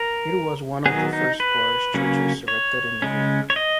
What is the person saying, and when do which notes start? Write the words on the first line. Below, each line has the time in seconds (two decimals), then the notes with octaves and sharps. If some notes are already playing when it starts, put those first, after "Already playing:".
It was one of the first parish churches erected in Liguria.
Already playing: A#4
0.86 D#3 F#3 B3 G#4
1.13 D#4
1.40 B4
1.94 C#3 F#3 A#3 C#4
2.48 C#5
3.02 C#3 G#3 C#4
3.50 C#5
3.56 D#5